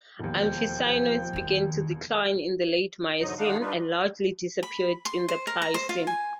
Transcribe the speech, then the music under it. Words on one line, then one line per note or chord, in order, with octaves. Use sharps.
Amphicyonids began to decline in the late Miocene, and largely disappeared in the Pliocene.
E1 D#2 F3 G5
F2 D#3
E2 G#2 D3 F#3 D#4 D#5
D#3 G#3 D4 D#4 F5 F#5
G3 D4 D#4 F4 B4
B5
C6
C5
A#4
A#5
C5
F4
G#5